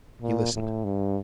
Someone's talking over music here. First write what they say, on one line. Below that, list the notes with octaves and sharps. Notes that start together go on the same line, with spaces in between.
He listened.
A#2
A2
G2